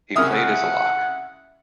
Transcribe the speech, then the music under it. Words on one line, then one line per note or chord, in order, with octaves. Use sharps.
He played as a lock.
C2 C#3 E5 F#5 D#6 F6